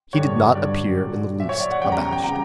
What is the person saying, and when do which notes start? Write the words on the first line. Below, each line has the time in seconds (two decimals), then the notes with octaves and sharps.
He did not appear in the least abashed.
0.13 G2 D3 G3 C#5
0.55 G2 D3 G3 D5
0.97 A#2 F#3
1.40 A#2 F#3 E5
1.49 C#5
1.60 D5
1.71 F#5
1.81 E2 C#3 G3 G5
1.92 A#5
2.12 G5
2.24 C#3 G3 A#5